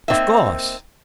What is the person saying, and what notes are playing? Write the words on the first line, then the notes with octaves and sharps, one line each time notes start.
"Of course."
A#3 C4 D#4 E5